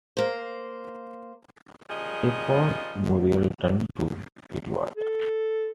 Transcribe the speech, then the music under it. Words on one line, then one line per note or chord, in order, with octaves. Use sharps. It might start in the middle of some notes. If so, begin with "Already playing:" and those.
A pause — Muriel turned to Edward.
A#3 C5
A#2 C#3 F3 G3 G#4 D#5
A4